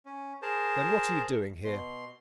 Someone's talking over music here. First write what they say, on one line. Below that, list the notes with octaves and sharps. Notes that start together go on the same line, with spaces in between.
"Then what are you doing here?"
C#4
G#4 A#4 C5 A5
B2 C6